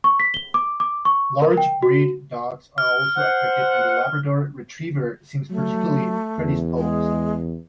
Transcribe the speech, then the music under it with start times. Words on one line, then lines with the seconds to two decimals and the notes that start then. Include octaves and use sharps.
Large breed dogs are also affected and the Labrador retriever seems particularly predisposed.
0.04 C#6
0.20 B6
0.34 G7
0.54 D6
0.80 D6
1.05 C#6
1.42 A#4
1.57 G5
1.83 F#4
2.78 F6
3.17 C5 F#5
5.50 F#3 A3
6.38 E2
6.77 G#3